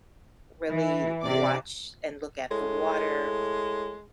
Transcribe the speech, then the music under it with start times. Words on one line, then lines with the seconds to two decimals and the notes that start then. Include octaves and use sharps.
really watch and look at the water
0.70 E3
1.23 C3 D5 D6
2.51 A2 G#3